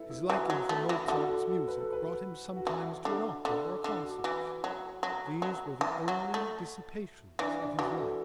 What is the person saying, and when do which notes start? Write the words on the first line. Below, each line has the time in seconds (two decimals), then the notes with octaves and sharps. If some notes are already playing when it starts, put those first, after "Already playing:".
His liking for Mozart's music brought him sometimes to an opera or a concert: these were the only dissipations of his life.
Already playing: E4 A4 B4
0.10 E4
0.30 E3 F#4
0.50 F#3
0.69 A3
0.89 E3
1.03 E4
1.08 D3 F#4
1.29 A4
1.49 A4
1.68 B4
1.80 A4
1.92 B4
2.56 F#4
2.66 E3 E4
3.05 D3
3.45 D3 A4
3.65 A4
3.84 D3 A4
4.04 F#4
4.24 E3
4.64 F#3
5.03 F#3
5.42 F#3
5.81 E3 E4
6.08 F#3
6.34 A3
7.39 E3 D4
7.59 D4
7.79 E3 F#4
7.98 A4